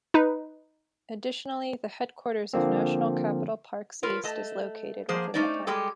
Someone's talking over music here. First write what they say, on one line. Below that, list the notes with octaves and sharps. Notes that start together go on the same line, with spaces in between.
Additionally, the headquarters of National Capital Parks-East is located within the park.
D#4 B4
D3 F3 A#3 C4
F4 A#4 B4 C#5
A3 D#5 A5
F3 A#3 G#4 C5
A3 C#4 D#4 C5 D5
G3 G#3 G4 A4